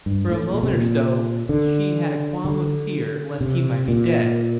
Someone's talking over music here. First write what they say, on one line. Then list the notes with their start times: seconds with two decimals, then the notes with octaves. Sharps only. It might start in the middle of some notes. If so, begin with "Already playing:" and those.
For a moment or so she had a qualm of fear lest he might be dead.
0.06 G2
0.30 A2
0.54 A#2
0.63 C3
0.73 A#2
1.49 D3
2.45 D3
3.41 C3
3.88 A#2